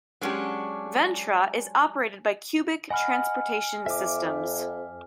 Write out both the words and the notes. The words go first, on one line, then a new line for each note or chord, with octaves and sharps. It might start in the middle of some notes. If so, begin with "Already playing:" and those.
Ventra is operated by Cubic Transportation Systems.
F#3 G#3 C#4 D4 G4
D#5 F#5 G#5 B5 F6
F2 E5 D6